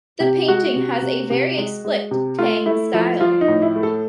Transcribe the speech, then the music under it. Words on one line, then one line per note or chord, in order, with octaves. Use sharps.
The painting has a very explicit Tang style.
C3 G4
G#3 F#4
C3
C3
C3
G#3
G#3
C3
A3 F4
A3 E4
F3 E4
F3 F4
D#4
A2
E4
A3
A4